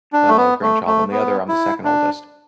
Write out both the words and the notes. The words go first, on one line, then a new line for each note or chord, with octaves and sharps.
uh, grandchild, on the other, I'm the second oldest.
D4
A3
B3
A3
A3
B3
E4
D4